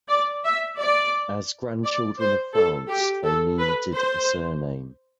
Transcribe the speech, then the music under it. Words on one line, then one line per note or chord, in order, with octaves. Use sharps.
As Grandchildren of France, they needed a surname.
D5
E5
D5
D5
C5
A4
G4
A4
B4
C5